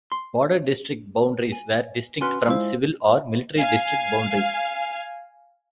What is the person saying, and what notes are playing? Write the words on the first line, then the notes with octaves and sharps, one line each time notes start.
Border district boundaries were distinct from civil or military district boundaries.
C6
G#5
C#4 F#4 B4 G#5 C6 F6
G#3 E4 F4 C5 F5 E6
F5 G#5